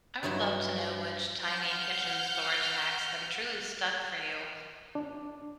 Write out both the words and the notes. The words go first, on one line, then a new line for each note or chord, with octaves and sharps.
I would love to know which tiny kitchen storage hacks have truly stuck for you
G2 F#3 D#4 E4 E5
F#5 F6 G6
D4